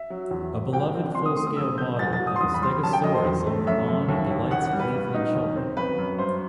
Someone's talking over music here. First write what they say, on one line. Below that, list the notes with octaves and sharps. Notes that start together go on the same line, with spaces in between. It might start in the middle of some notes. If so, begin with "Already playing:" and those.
A beloved full-scale model of a "Stegosaurus" on the lawn delights Cleveland children.
Already playing: E5
F#3
E2
F#3
C2 G5
C4
E1 C6
D#6
A3 C6
D#6
F#1 E6
F#1 G6
C2 A6
A6
C2
D#6
C6
E2 D#6
B5
G3 C6
F#2 A5
G5
F#2 D#5
C5
E2
A3
F#2 E5
F#2
D#2
D#2
A1 F#5
F#5
G3
B4
G2
D#4
D#2
C4
F#2 B4
F#2
G2 C5